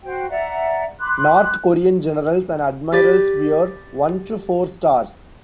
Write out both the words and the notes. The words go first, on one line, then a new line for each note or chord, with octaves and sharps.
North Korean generals and admirals wear one to four stars.
F#4 C5 G5
D5 E5 F#5 A#5
B5 C6 D6 F#6
G4 B4 D5